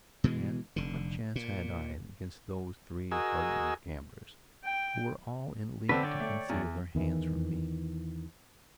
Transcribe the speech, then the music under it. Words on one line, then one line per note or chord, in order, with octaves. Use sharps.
And what chance had I against those three hardened gamblers, who were all in league to conceal their hands from me?
B2 E3 G#3
F1 D3
A#2
F#4 G#4 A#4 D#5 G#5 E6
G5
D3 C4 D4 B4
C#5 D5 G5
A3
E2
E2 D#3 E3